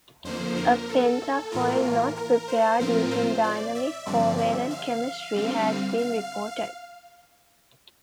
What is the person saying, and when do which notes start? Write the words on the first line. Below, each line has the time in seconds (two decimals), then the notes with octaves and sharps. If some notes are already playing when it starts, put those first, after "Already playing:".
A pentafoil knot prepared using dynamic covalent chemistry has been reported.
0.24 F2 D3 F3 A#3 C5
0.56 A#4
0.89 A4
1.52 A2 E3 A#3 F4 A#4
2.16 A#4
2.48 C5
2.79 A2 F3 C4 F4 A#4
3.11 C5
3.44 D5
3.75 E5
4.06 G2 D3 F3 C4 D5
4.38 E5
4.71 F5
5.35 D3 G3 C4
5.98 F5